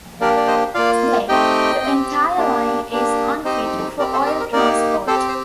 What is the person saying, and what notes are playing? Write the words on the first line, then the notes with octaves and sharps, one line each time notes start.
Today, the entire line is unfit for oil transport.
A#3 D4 G4 A#4 D5
D5
C5 D#5
A#3 F4 D5 F5
A3 C4 D#4 G4 D#5 G5
C4 G4
A#3 D4 G4
A#3 D4 G4
C4 D#4 G4 C5 D#5
C4 G4 A#4 D5
A4 C5
A#4
A#4
A#3 D#4 G4 A#4 D5
C4 G4 A4 C5
C5